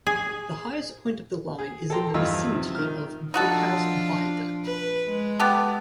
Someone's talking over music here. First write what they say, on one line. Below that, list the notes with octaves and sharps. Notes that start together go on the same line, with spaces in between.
The highest point of the line is in the vicinity of Brookhouse viaduct.
G#4
G#4
A4 G5 A#5 C6
E2 G2 F3 D#4 F4 E6
C3 F3
D#3 F6
F3 D4 D#4 F4 F#4 A4
B4
G#3
B3 G4 A4